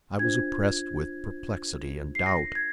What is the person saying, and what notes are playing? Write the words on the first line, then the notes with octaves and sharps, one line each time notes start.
I was oppressed with perplexity and doubt.
D4 F4 C5 G#6
C7
A#6
G#6